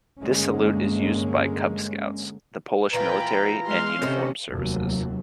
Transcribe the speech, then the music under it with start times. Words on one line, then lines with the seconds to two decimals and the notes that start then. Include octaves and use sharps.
This salute is used by Cub Scouts, the Polish military, and uniformed services.
0.21 G2 D3 G#3 A#3 C#4
2.93 A#2 E3 F4 B4 G5 A#5
3.66 G#3 F5 C6
4.02 C3 C#4 D#4 A4 C5
4.50 F1 D#2 C3 F#3